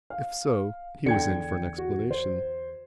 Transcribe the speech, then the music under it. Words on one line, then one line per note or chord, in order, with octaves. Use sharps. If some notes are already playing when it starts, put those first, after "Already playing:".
If so, he was in for an explanation.
F5
E2 D3 G5 G#6 C#7
F#4
C5